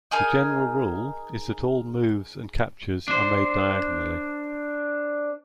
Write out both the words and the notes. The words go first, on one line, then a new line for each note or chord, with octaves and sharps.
The general rule is that all moves and captures are made diagonally.
D#4 G#4 A#4 G#5
D4 C5